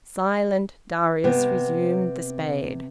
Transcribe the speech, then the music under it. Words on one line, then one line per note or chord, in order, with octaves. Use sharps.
Silent, Darius resumed the spade.
C3 B3